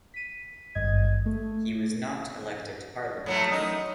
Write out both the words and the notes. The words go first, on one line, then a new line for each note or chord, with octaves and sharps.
He was not elected to parliament.
B6 D#7
G#1 G2 D#5 G#6
A3
A2 F#3 A3
F#2 D#4